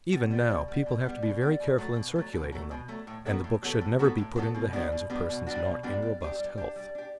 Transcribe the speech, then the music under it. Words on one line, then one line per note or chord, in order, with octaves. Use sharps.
Even now people have to be very careful in circulating them, and the books should never be put into the hands of persons not in robust health.
B2
G3 B3
B2
G3 B3
B2
G3 B3
B2
G3 B3
B2
F#3 A3
B2
F#3 A3
B2
F#3 A3
B2
F#3 A3
A2
F#3 B3 F#4 A4
A2
F#3 B3 F#4 A4
A2
F#3 B3 F#4 A4
A2
F#3 B3 F#4 A4
B2
G3 B3 D4 F#4
B2
G3 B3 D4 F#4
B2
G3 B3 D4 F#4
B2
G3 B3 D4 F#4
G3
D4 G4
G3
D4 G4
G3
D4 G4